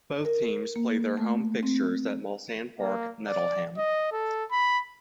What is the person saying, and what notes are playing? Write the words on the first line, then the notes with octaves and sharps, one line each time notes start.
Both teams play their home fixtures at Mulsanne Park, Nettleham.
A#4
A#3
A3
C4
A#3
D5
D#5
A4
B5